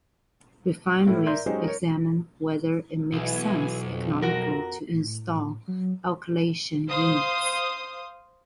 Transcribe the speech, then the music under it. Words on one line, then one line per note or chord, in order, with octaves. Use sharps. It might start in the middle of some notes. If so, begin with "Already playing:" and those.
Refineries examine whether it makes sense economically to install alkylation units.
A2 E4 A4
A#4 D5 E5 A#5 C6 G6
F#3 G#3 C#4 D#4 G4 C5
A#4 C#5
B1 B2 E3 G#5
F2
F#4 A#4
A2
F#3
C5 F5 D#6